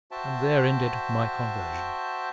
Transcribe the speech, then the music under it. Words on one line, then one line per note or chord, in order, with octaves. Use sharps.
And there ended my conversion.
F#4 C5 E5 G5 A5